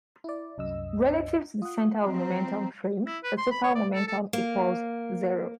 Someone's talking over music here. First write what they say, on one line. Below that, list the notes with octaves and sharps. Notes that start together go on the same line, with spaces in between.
Relative to the center of momentum frame the total momentum equals zero.
E4 D5
C2 F#2 D#5 E6
F4 F#5 D#6
F3 C4 A#5
E4
B4
C6
B5
C#5
D5
A4
A4
A#3